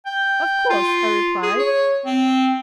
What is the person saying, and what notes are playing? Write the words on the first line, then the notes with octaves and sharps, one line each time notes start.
'Of course,' I replied.
G5
F4
G#4
C#5
C4